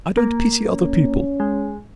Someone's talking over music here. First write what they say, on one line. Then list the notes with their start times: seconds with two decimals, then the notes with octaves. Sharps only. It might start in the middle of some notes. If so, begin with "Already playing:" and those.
I don't pity other people.
0.17 A#3
0.69 C#4
1.40 G#3